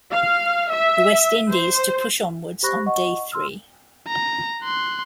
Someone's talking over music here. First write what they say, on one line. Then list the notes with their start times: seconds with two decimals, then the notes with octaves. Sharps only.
The West Indies to push onwards on day three.
0.12 F5
0.71 E5
1.50 C5
2.63 G4 C5 B5 C#6 F#6 A#6
2.86 D#5 F#5 C#6
3.32 C6 E6 F6
4.07 A#5
4.63 C6 F#6